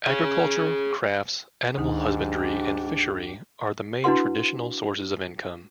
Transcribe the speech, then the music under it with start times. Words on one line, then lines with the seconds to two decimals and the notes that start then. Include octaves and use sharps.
Agriculture, crafts, animal husbandry and fishery are the main traditional sources of income.
0.07 G#4 C#5
1.77 D2 G#2 D#3 D4 D#4 G4
4.04 D4 E4 F#4 B4 F#5 C6